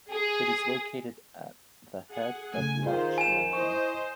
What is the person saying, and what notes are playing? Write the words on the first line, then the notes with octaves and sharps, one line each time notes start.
It is located at the head of Loch Lomond.
G#4
G#4 F#5
C#3 A3 G#5
D#3 F4 G#4 C5 F5
G#5 E7
E4 C5 D#5 C#6